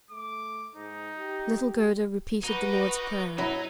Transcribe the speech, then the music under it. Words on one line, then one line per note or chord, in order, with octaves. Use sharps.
Little Gerda repeated the Lord's Prayer.
A3 D6
G#2 D#4
G4
D#4 F#4 B4 D6
F#3 D#4 E4 B5